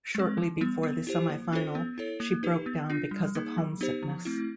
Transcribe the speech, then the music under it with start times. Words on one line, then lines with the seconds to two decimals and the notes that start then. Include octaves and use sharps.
Shortly before the semi-final, she broke down because of homesickness.
0.15 G#3 C4
0.38 E3
0.61 G3 B3
0.83 B3
1.07 E4 G4 C5
1.30 A#3
1.52 C#4 F4 A4 C5
1.75 B3
1.98 E4 A4 C#5
2.20 A#3
2.43 D#4 G4 B4
2.66 B3
2.90 D4 F4
3.11 G3
3.35 A#3 D#4 G#4
3.58 F#3
3.81 B3 D#4 G4 C5
4.03 F3
4.25 A3 C4 E4